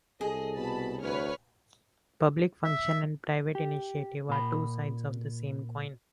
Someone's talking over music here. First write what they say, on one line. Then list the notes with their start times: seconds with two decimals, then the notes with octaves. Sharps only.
Public function and private initiative are two sides of the same coin.
0.21 C2 G#4 A4 D#5
0.57 B2 A5 B5
1.02 D2 B4 C#5 F6
2.65 E5
3.55 G4
4.29 A#2 B5